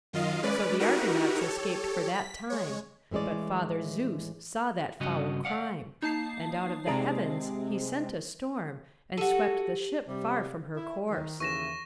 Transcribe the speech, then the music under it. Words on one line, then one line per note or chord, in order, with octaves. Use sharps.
So the Argonauts escaped for that time; but Father Zeus saw that foul crime; and out of the heavens he sent a storm, and swept the ship far from her course.
F#2 D#3 F4 D#5 F5
G#3 C#4 B4 D5
D#4 E4 F#4 G4 A#4 B4
G4 A4 C#5
B6
G#3 C#5
A2 E3 G#3 C#4 D5
G2 C#3 C#4 F#4 D#5
D5 F5 F#5
A#3 D#4 A5 C7
C3 G#3 C4 G#4 D5 A#5
F#4 G4 A4 D#7
C3 G3
E4
D#3
D#2 C#3 E3 C#6 A#6 E7